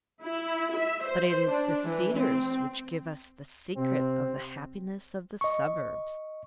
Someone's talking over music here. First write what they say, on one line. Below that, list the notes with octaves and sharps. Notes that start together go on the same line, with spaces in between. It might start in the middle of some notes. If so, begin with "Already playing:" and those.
But it is the Cedars which gives us the secret of the happiness of the suburbs.
E4
E5
C5
D4
E3
C4
C3 C4
D#5 C#6